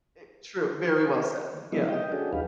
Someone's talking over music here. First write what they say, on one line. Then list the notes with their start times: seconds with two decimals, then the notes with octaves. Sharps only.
I true, very well said. Yeah.
1.72 F3 G3 G#3 B3 D#4 E4
1.89 D#5 G5
2.12 C#4 D4 F#4 G#4 A4
2.33 D#2 F#3 D#4 G4 B4 F5